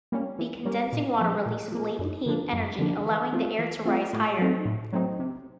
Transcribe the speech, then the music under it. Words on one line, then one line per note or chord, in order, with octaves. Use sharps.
The condensing water releases latent heat energy allowing the air to rise higher.
G3 A#3 C#4
E3
G3 A#3 C#4
A#2
F3 A#3
A#2
F3 A#3
F#2
D3 F3 A#3 D4
F#2
D3 F3 A#3 D4
E3
A3 C4 F4
E3
A3 C4 F4
A2
F#3 A3 C4 D#4
A2
F#3 A3 C4 D#4
C3